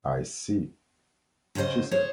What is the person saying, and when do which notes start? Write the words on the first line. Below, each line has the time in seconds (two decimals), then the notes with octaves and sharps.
"I see," she said.
1.55 E2 C#3 G4 C5 D#5
1.91 G#4 C5 C#5